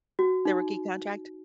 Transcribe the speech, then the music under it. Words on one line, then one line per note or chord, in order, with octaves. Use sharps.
their rookie contract?
F#4
D#4